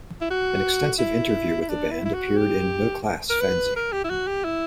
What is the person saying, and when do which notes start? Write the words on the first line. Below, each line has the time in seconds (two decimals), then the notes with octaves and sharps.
An extensive interview with the band appeared in "No Class" fanzine.
0.21 E4
0.30 F#4
0.99 E4
1.61 E4
1.69 D4
1.91 E4
2.05 E4
2.14 F#4
2.37 G4
3.30 A#4
3.41 B4
3.76 A#4
3.92 G4
4.04 E4
4.10 F#4
4.27 G4
4.44 E4